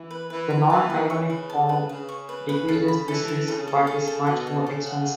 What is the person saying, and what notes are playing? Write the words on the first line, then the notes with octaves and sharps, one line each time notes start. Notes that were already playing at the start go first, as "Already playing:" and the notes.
The non-ionic form decreases this risk, but is much more expensive.
Already playing: E3
B4
E3 B4
B4
E3 A5
B4
C#3 C#6
B4
A5
B4
C#3 B4
C#6
B4
B4
C#3 A4
B5
E3 A4
A4
C#3 A4
A4
A4
A4
B2 A4
A4
C#3 A4
F#5